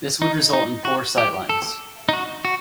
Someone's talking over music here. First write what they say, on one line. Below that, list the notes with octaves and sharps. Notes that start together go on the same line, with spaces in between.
This would result in poor sightlines.
D#4
D#4
F#4
G4
A4
D#4
F#4
F#4